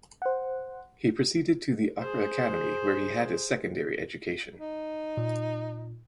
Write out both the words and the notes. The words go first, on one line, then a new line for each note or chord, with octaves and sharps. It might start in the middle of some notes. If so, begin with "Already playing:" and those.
He proceeded to the Accra Academy where he had his secondary education.
C5 F#5
G#4 C5
D#4
A#2